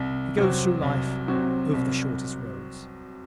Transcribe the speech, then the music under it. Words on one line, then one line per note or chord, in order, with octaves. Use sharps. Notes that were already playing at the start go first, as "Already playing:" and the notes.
He goes through life over the shortest roads.
Already playing: C2
C3 F#3 C4 F#4
C2
C3 F#3 C4 F#4
C2